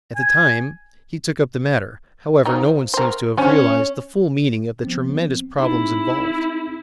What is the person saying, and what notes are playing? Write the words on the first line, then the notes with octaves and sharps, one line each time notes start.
At the time he took up the matter, however, no one seems to have realized the full meaning of the tremendous problems involved.
G#5
D#3 F3 D#4
A#4 C5
C#4 D4 C5 G#5
F3 B3 C4
C4 D#4 E4 G#4